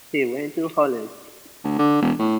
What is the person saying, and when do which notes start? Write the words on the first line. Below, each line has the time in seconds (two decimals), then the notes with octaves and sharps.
He went to Holland.
1.64 D2
1.78 D3
2.02 E1
2.19 A2